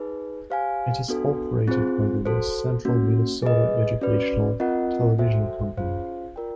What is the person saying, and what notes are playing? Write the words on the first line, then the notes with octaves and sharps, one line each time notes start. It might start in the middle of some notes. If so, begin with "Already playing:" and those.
It is operated by the West Central Minnesota Educational Television Company.
Already playing: D#4 G#4 B4
G4 C5 F5 G#5
B3 D4 F#4 A4
C4 F4 G#4 C5
F#4 A4 C5
A#3 C#4 F#4
G#4 B4 D#5
C#4 F#4 B4 D5
C4 F4 A#4 D#5 F#5
F#4 A4 C5 E5 G5
C#4 F4 G#4 C5 F5
F4 A#4 D5 G5